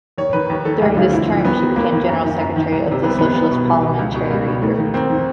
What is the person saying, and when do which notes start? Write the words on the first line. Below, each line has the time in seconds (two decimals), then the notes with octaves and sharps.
During this term she became general secretary of the Socialist parliamentary group.
0.18 D#2 C#5
0.33 D#3 B4
0.50 D#2
0.65 D#3 A4
0.82 D2 G4
0.97 D3 F3 F4
1.13 D2 E4
1.28 D3 F3
1.44 D#2 B3
1.61 D#3
1.76 D#2 A#3
1.92 D#3
2.08 F#2
2.23 D#3
2.40 F#2
2.56 D#3
2.72 C2
2.87 C3 D#3
3.03 C2 B3
3.19 C3 D#3 B3
3.35 C2 B3
3.51 B2
3.67 C2
3.82 B2
3.99 C#2
4.15 B2
4.30 C#2 G3
4.46 B2
4.62 D#2 A3
4.78 D#3
4.94 D#2 C4
5.10 D#3